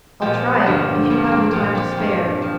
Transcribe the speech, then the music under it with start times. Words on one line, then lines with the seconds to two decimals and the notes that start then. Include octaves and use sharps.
"I'll try it, if you have the time to spare."
0.22 A#2 F3 G4
0.66 G2 D3 F3
1.10 G2 F3
1.24 D4
1.32 C4
1.53 A#2 F3 G4
1.75 G4
1.97 G2 F3
2.42 F3